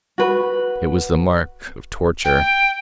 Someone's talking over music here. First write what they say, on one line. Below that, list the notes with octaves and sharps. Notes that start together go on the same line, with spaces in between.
It was the mark of--torture!
F#4 B4
G5